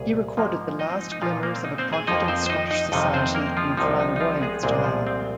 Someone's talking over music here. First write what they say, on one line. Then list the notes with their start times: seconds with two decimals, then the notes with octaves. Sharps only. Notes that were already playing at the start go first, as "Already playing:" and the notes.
He recorded the last glimmers of a confident Scottish society in flamboyant style.
Already playing: C2 A#2 G#4 G#5
0.37 G#2 F3 A#3
0.79 D#4 D#5
0.90 C4
1.01 D#4
1.12 D#4
1.22 A#2 F3 A#3 F4
1.43 A#3 A#4
1.56 C4
1.64 D#4
1.78 C4 C5
1.93 G#4 G#5
2.07 F2 F3 A#3 D#4 D#5
2.28 C4 C5
2.46 C5
2.50 D#4 D#5
2.71 D#4 D#5
2.92 F2 C3 D#3 D#4 D#5
3.14 C4 C5
3.35 A#3 A#4
3.57 F3 F4
3.77 C2 C3 F3 D#4
4.00 D#4
4.16 D#4
4.20 F3 F4
4.41 G#3 G#4
4.63 C2 A#2 G#3 C4 G#4
4.79 G#4
4.84 F3 F4
5.07 C4